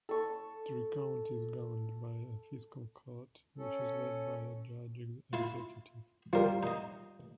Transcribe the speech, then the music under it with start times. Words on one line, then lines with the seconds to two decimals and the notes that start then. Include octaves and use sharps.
Trigg County is governed by a Fiscal Court, which is led by a Judge-Executive.
0.09 A4 C#6
3.58 C#4 A4
5.33 E4 F4
6.33 F3 G3 F4 A#4
6.63 D#4 D#5